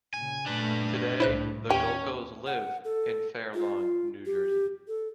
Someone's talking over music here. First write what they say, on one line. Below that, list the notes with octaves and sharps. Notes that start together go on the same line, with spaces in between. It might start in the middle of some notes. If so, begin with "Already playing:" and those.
Today the Gulkos live in Fair Lawn, New Jersey.
A#2 C#3 G#5
A#2 A3 D4 B4
C2 A2 E4 C5 F#6
D#2 C#4 G4
F#5
A4
F4
G4
A4